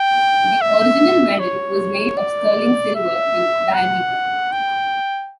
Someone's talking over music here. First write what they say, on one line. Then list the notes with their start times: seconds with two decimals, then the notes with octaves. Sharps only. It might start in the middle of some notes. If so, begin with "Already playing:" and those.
The original medal was made of sterling silver, in diameter.
Already playing: G5
0.62 E5
1.39 C#5
2.17 D5
2.96 E5
3.74 F#5
4.52 G5